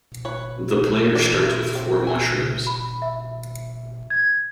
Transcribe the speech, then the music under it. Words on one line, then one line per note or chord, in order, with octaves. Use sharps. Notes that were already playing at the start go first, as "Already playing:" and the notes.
The player starts with four Mushrooms.
B4 C#5
E3 D5
E4
C4
A4 E5 G#5
B5
E5
G#6